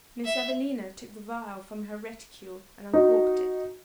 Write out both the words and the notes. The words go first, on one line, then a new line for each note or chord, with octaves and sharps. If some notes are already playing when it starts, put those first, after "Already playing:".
Miss Evelina took the vial from her reticule and uncorked it.
E5
D#4 F#4